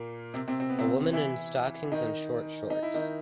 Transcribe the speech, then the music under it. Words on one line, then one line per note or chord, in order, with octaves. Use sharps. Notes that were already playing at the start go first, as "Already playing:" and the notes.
A woman in stockings and short shorts.
Already playing: A#2 A#3
C3 C4
C3 C4
C4
B3
C3 C4
E3 E4
D#3 D#4
D#4
E4
D#3 D#4